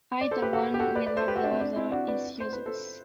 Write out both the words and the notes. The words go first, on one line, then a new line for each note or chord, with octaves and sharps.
Either one without the other is useless.
D5
A4 C5
G4 B4
F#4 A4
G4
F#4 A4
B4 D5
B4 D5
A4 C5
G4 B4
F#4 A4
D4
C4
D4
C4 E4
D4 F#4
B4 D5
C5
B4
A4 C5